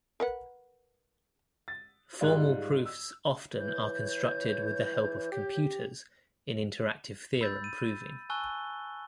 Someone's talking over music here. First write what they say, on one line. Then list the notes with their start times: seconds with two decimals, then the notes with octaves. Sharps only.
Formal proofs often are constructed with the help of computers in interactive theorem proving.
0.20 A#4 B4 F#5
1.68 A6
2.21 G#2 G3 F4 D5 D#5 F#6
2.85 E6
3.58 E3 C#5 G6
5.32 G4
7.41 B5 E6 G6 A6
7.64 D#7
8.30 G#5 A5 C#6 E6 F#6 G7